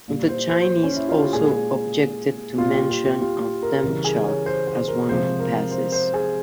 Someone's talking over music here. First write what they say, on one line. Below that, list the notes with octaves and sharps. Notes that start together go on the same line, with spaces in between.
The Chinese also objected to the mention of Demchok as one of the passes.
A#2 G3
C5
C5
C#4
E4
F4
G4
A#2 G#3 G#4
A#2 G3 F4
G4
G4
G4
F4
A#4
C#3 E3 G3 A#4
G#4
C#5
C5
C5
A#4
C3 F3 G#3 C5
A#4
C5
C5
G#4